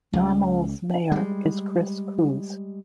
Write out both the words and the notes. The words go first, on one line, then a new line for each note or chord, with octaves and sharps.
Normal's mayor is Chris Koos.
C#2
G3 G#3